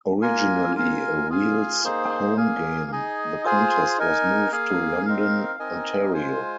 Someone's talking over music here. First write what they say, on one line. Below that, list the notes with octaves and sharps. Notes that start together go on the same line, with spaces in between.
Originally a Wheels home game, the contest was moved to London, Ontario.
A#3 F4 A#4 G#5
F4 A#4 F5 G#5
F4 G#4 F5 G#5
A#3 D#4 G#4 C5
A#3 G#4 F5 G#5
D#4 G#4 D#5 G#5
F4 G#4 C5 G#5
D#4 A#4 G#5
A#3 G#4 F5 G#5
C4 D#4 A#4 F5
C4 D#4 A#4 D#5 G#5
G#3 F4 C5 G#5